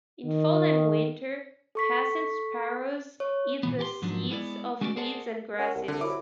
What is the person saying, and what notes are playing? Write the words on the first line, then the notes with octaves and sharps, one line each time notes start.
In fall and winter, Cassin's sparrows eat the seeds of weeds and grasses.
D#3
A4 C#6 B6
C#5
A#2 E3 B3
G4 G5 C6
G#2 F3 F#3 D4
G#3 B3 E4 B4 D5
G#3 A3 C#4 F#4 A#4 D5
G#4 A#4 C5 D5 F#5 A5
C#4 A#4 F#5
C2
D3
C2 F#3 E4 D6